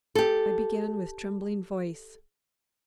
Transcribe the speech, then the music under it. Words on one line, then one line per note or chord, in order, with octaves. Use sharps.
I began with trembling voice.
G4 A4